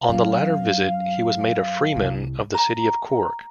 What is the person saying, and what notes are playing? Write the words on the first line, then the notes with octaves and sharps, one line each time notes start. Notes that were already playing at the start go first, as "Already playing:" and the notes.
On the latter visit, he was made a Freeman of the City of Cork.
F#2 F5
C2
A#5